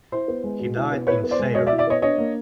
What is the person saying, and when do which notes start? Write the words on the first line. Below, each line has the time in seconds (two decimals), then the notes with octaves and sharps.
He died in Sayre.
0.12 E4 C5
0.28 B3
0.44 G#3
0.59 B2
0.76 E4
0.92 B3
1.07 E4 B4 C#5
1.24 B3
1.31 C5 D5
1.39 G#3
1.54 B2 C#5 D#5
1.67 D5 E5
1.71 E4
1.78 D5 E5
1.87 B3 C#5 D#5
2.02 D4 C#5 D#5
2.18 A#3